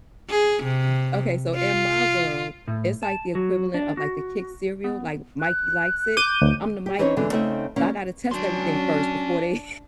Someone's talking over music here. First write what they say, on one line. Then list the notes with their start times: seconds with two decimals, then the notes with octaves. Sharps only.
Uh, okay, so, in my world, it's like the equivalent of, like, the Kix cereal. Like, Mikey likes it. I'm the Mikey. So I gotta test everything first before they
0.30 G#4
0.64 C3
1.56 F4
2.68 A2
3.03 A5
3.35 F#3
3.74 D4
3.97 F#4
4.84 B3
5.40 F#6
6.17 D6 G6 D#7
6.42 D2
6.86 G4
6.99 E3 C4 C#4 D#4 C#5
7.17 D3 E3 G#3
7.32 C#3 A3 C4 D#4 E5
7.76 D2 A#3 C#4
8.31 F#3 C#4 D4 C6